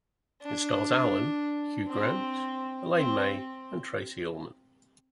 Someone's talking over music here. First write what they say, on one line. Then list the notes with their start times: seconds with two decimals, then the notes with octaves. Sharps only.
It stars Allen, Hugh Grant, Elaine May and Tracey Ullman.
0.43 D4
1.87 C4
2.96 C4